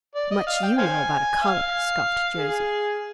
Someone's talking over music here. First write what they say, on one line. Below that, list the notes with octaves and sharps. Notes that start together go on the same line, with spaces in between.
Much you know about a colour,' scoffed Josie.
D5
D#5
F5
G5
C5 F5 G#5
F5
G#4